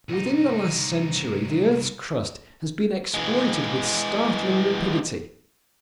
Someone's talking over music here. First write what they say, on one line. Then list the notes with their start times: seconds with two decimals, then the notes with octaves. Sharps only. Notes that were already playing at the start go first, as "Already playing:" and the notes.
Within the last century the earth's crust has been exploited with startling rapidity.
0.09 C2 D#4
3.14 E3 G#3